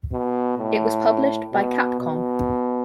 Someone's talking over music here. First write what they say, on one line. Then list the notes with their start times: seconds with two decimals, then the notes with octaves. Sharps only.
It was published by Capcom.
0.13 B2
0.59 A2
1.53 B2
2.00 B2